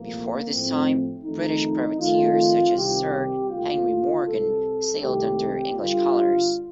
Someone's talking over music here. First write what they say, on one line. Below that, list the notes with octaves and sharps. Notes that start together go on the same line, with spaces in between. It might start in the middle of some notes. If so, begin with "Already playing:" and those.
Before this time, British privateers such as Sir Henry Morgan sailed under English colours.
Already playing: C2 A#2 F3 A3 A#3
A2 F3 A3 C4
F2 D#3 A3 D#4
F2 D#3 A3 F4
C2 C3 D#3 G3 G4
D#2 D3 A3 F4
C2 C3 G3 A4
C2 C3 D#3 A3 G4
G2 D3 G3 F4